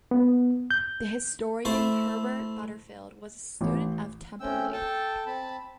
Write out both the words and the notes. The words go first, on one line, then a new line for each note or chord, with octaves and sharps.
The historian Herbert Butterfield was a student of Temperley.
B3
G6
A3 E4 C5 E5 A5
A1
A3 C4 C#4 G5 E6
A4 G5 A5
C4 A5 B5